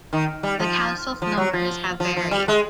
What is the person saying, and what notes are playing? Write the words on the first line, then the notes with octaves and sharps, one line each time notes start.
The council's numbers have varied.
D#3
G3
F3
F3
F#3
F3
F3
F3
G3
G#3